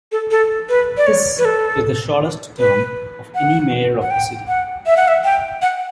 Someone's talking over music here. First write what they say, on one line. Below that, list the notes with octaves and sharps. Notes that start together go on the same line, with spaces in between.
His is the shortest term of any mayor of the city.
A4
A4
B4
D5
C#5
B4
A4
B4
F#5
F#5
G5
F#5
E5
F#5
E5
G5
F#5